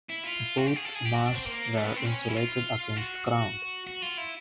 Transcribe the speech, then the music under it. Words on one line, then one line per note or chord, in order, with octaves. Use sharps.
Both masts were insulated against ground.
E4
F4
F#4
G4
G#4
A4
G#4
G4
F#4
D4
C4
A#3
A3
B3
C4
C#4
E4
F4
F#4
F#4
F#4
F4
E4